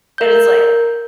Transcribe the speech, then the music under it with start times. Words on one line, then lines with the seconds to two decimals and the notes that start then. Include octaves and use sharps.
and it's like,
0.18 A#4 G6